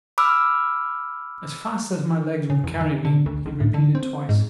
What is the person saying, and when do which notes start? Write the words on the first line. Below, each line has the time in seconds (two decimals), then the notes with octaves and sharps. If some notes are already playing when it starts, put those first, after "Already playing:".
"As fast as my legs would carry me," he repeated twice.
0.18 B5 D6 E6 F6
2.50 C#3
2.64 E2
2.81 D#3
3.05 D3
3.26 D2
3.46 C#2
3.60 A2
3.74 D3
3.95 C4
4.29 G#2